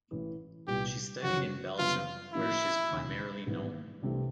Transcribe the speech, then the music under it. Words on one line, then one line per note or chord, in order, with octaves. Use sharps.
She studied in Belgium, where she is primarily known.
A1 A2 E3
C2 A#2 G3 B3 G4
F#2 C#3 F3 F#4
F#1 F#2 D3 G3 B3 F4
A2 F3 A#3 D#4 E4
E1 D#2 C#3
A1 G#2 D#3 G3 B3
C2 C3 E3 A3 D4